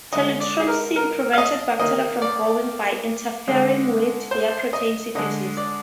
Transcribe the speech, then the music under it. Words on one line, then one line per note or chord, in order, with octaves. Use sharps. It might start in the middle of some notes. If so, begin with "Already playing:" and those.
Telithromycin prevents bacteria from growing, by interfering with their protein synthesis.
D3 G#3 D#5
D5
G#4
A#4
A#4
F5
D#5
D#3 A#3 D#5
D5
D3 G#3
C5
D#5
D3 G#3 D#5
D5